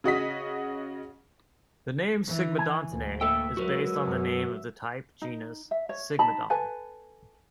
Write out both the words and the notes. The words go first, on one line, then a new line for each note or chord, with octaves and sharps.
The name "Sigmodontinae" is based on the name of the type genus, "Sigmodon".
C#3 F#4 D#5 B6
E3
G#5
D2
A#3 A4 E5 G5
F#3 G#3 F#4 A#4 B4
F#2
D#4
E5
C#5
D#4 A5 B5
A4 B4 G#5